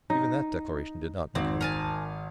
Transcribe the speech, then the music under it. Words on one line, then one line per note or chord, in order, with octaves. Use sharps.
Even that declaration did not make her look at him.
D#4
G#1 C4
A#4 G#5 A5